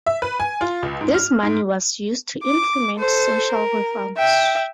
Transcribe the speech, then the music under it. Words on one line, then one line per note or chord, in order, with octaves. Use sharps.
This money was used to implement social reforms.
E5
B4
G#5
F4
C#2
G#2
F6
G#2
D6
A4 C5
A#4
E5 G5